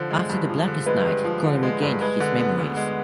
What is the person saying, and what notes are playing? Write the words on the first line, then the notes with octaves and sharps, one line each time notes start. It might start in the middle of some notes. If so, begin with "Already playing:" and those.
After the "Blackest Night," Connor regained his memories.
Already playing: D3 F3 C5
G#3
G2
F3
D3
G#3 B4
G2
F3
D3
G#3
G2
G#3 B4
D3
B3
D2
G#3